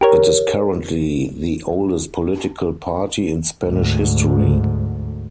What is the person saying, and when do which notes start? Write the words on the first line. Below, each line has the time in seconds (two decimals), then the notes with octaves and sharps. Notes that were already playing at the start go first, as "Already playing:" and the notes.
It is the currently the oldest political party in Spanish history.
0.01 G4 A#4 C#5
3.64 D2 G#2